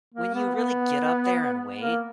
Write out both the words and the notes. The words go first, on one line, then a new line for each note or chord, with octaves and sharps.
when you really get up there in weight,
A#3
B3
B3
A#3